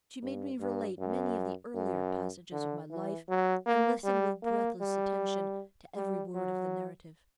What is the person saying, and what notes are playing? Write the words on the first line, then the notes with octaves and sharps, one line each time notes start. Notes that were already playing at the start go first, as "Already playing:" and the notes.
She made me relate many of the earlier passages of my life, and listened with breathless attention to every word of the narrative.
G2
G2
F#2
F#2
D3
E3
F#3
A#3
G3
A#3
G3
G3
F#3